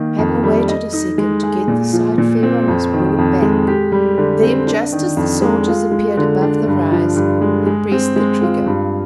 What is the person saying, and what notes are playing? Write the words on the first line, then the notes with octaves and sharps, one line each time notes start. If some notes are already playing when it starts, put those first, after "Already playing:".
Hadden waited a second to get the sight fair on his broad back, then just as the soldiers appeared above the rise he pressed the trigger.
Already playing: D#3 A#3
F2
G3
D#5
D#4
G#3
G#4
A#2
F3
A#2
C4
F2
D#3
F2
G#3
G4
G3
D3
C4
D4
D#3
F2
G#3
F4
G#3
D3
D4
G2
F3
G2
G#3
G#3
C4
G#3
F4
G2